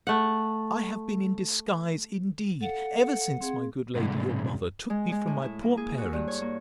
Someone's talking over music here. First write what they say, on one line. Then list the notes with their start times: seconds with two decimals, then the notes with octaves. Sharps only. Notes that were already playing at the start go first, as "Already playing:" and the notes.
I have been in disguise, indeed, ever since my good lady your mother took me from my poor parents.
0.07 A3 F#5
2.61 A4 F5 F#5
3.41 C4 G#4 F5
3.95 C2 G#2
4.90 G#3
5.12 G#3
5.27 A2
5.42 E4
5.63 A#3
5.77 G#4
5.98 F#4
6.13 G2
6.28 C#5
6.42 A#3